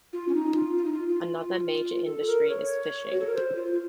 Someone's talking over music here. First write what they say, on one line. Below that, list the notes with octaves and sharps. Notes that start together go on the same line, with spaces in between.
Another major industry is fishing.
F4
C#4
D#4
F4
F4
D#4
F4
F4
A4
A#4
C#5
F#4
A4
A#4
C5
F4
F4